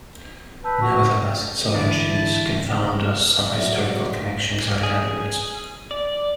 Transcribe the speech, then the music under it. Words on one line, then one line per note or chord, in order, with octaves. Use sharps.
Nevertheless, if origins confound us, some historical connections are in evidence.
B4 A5 E6 G6
F#4
D3 E3 D4 E4 A5
F#3 D5 E5
G#4
D5